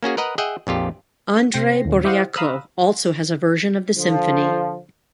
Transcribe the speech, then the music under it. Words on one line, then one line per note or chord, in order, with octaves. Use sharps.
Andrei Boreyko also has a version of the symphony.
A#3 C#4 F#4 G#4
A#4 B4 D#5 F#5 A#5
G#4 D#5 E5 F#5 G5
A#1 F2 F4 G4
C3 C5 G5 A#6 C7
D#2 A#2 C#3
E4 G4 C5 D#5 F5 F#5
F5 A#5 B5 D#6 E6 F#6
D3 F3